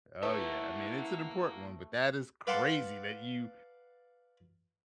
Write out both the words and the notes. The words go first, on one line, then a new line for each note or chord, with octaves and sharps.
oh, yeah, I mean, it's an important one, but that is crazy that you
A3 A#3 E4 B4 E5 F#5
B4 D5 F5 F#5 A5 C6